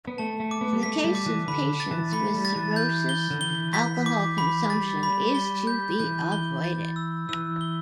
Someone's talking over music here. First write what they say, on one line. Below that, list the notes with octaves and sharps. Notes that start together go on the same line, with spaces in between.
In the case of patients with cirrhosis, alcohol consumption is to be avoided.
B3
A3 A5
A3
D6
B3
G3
A3 B6
G3
D6
E3
D3 B5
A6
E3
A3 B5
G3
A6
E3
G6
G7
D3
E3 G7
B6
D6
B5
G3 A6
B5
G7
G6
E3 G6
G7
A6
E6
E3 E6
G7